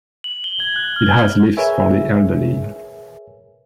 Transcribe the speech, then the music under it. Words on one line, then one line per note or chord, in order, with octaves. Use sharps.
It has lifts for the elderly.
F#7
G7
G#6
F#6
F6
G#4 A#4 B4 C#5 E5 G#5